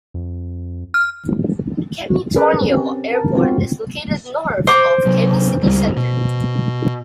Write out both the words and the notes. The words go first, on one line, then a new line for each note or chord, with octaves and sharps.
Kemi-Tornio Airport is located north of Kemi city centre.
F2
F6
C#4 G#4 A#4 B4 D5
C4 C#4 G4
A#4 A5
G#3 B3 C4 D#4 F4 F#4
C5 D6
C3 F#3
C#2 C#3 G3
B2